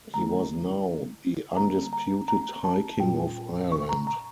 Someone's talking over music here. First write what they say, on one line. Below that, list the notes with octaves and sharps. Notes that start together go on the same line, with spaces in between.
He was now the undisputed High King of Ireland.
D3 A3 E4 A#5
D3 G3 A#3 A#5
A#5
A#5
A5
A#2 G3 C#4 F4 G5
C#6
A#5
A#5